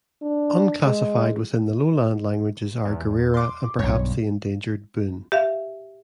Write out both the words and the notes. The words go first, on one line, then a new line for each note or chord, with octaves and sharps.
Unclassified within the Lowland languages are Girirra and perhaps the endangered Boon.
D4
G#3
E2
C6 D6
B1 G2 C#5
G4 E5 F5